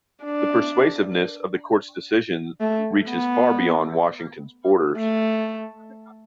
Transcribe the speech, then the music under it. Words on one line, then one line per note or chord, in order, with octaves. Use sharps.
The persuasiveness of the Court's decisions reaches far beyond Washington's borders.
D4
A3
B3
A3